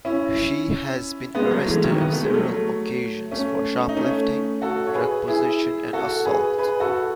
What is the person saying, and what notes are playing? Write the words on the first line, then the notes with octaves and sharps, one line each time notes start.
She has been arrested on several occasions for shoplifting, drug possession and assault.
C#4 E4
G#3 B3
F#3 A3
E3 G#3
D#3 F#3
B3
A3
G#3
F#3 A3
A3 C#4
D#4
A3 C#4
F#4 A4
C#5
G#4 B4
E4 G#4
F#4 A4
G#4 B4
G#4 B4
F#4 A4